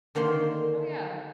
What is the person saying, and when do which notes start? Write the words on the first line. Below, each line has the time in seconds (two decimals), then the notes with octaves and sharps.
Oh, yeah.
0.15 D3 D#3 A#3 C5 C6